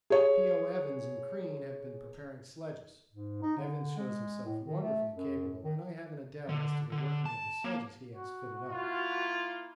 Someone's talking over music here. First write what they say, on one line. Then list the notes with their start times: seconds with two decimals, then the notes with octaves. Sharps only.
P.O. Evans and Crean have been preparing sledges; Evans shows himself wonderfully capable, and I haven't a doubt as to the working of the sledges he has fitted up.
0.10 G#4 C#5
3.12 G#2
3.42 D#4
3.57 D3
3.97 G#3
4.45 A2
4.65 D#3
4.82 A3
5.16 F#2
5.64 D#3
6.49 D3
6.92 D3
7.26 A5
7.64 A#3
8.09 F#4
8.68 A#3 E4 F4